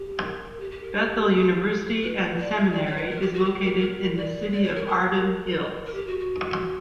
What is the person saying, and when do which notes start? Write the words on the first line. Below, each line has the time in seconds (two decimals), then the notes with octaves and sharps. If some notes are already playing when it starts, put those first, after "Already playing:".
Bethel University and Seminary is located in the city of Arden Hills.
Already playing: G4
0.23 A#4
0.60 G4
0.71 G4
0.83 A#4
0.96 G4
1.30 G4
2.03 B4
2.38 D5
2.56 E5
2.73 D5
2.86 C#5
2.97 B4
3.09 A#4
3.21 G4
3.34 F#4
3.45 G4
3.63 A#4
3.80 A#4
4.17 D5
4.52 D5
4.63 C#5
4.76 A#4
4.87 A#4
5.86 A#4
5.94 G4
6.07 F#4
6.19 F#4